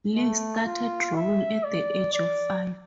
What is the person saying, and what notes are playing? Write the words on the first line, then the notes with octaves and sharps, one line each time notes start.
Lee started drawing at the age of five.
A3
F4
E5
D5
D5